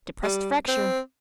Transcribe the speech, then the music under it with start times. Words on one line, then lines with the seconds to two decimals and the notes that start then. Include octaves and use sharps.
Depressed fracture.
0.23 G3
0.68 C4